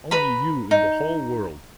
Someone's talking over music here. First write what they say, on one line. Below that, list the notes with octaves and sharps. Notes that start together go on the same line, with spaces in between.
Only you in the whole world.
B4 A#5 B5
D#4